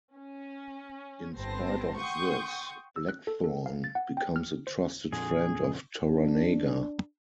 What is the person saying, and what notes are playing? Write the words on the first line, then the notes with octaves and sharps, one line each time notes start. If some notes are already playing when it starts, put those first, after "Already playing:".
In spite of this, Blackthorne becomes a trusted friend of Toranaga.
C#4
G1 B3 C4 C5 A5 A#6
F#5 G5 C6 C#6 D#6 G6
E6
F#6
A4
A4
F5
A6
F#5
G5
F6
C5
F2 A#2 D3 G#4
D4